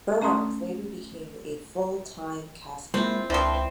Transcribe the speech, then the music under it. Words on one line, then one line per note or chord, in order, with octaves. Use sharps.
Burrows later became a full-time cast member.
A3 C#4 A#5 C6 D#6
G#3 A#3 C4 E4 F4
C#2 D3 F3 C4 E4 C5